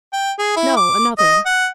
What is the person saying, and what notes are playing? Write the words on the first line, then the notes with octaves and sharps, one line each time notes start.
"No, another."
G5
G#4
E4
D6
D#5
F#5